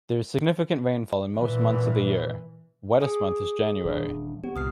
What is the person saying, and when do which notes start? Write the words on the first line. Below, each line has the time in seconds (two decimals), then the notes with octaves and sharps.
There is significant rainfall in most months of the year, wettest month is January.
1.38 A#2 E3
3.01 G#4 G#5 D#6
3.85 D#1 E3 D4
4.44 B3 G4
4.56 C2 A#2 D#6 F6 C7